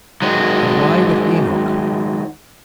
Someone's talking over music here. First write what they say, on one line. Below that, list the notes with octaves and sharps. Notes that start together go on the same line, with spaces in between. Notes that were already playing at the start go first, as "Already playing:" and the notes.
"And why with Enoch?"
D#3 F#3 G#3